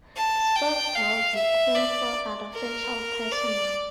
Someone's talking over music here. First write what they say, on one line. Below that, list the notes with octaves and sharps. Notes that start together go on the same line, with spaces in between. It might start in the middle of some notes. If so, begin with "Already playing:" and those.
Sporck brought with him four other Fairchild personnel.
A5
G5
F5
E5
D5
A#4
D5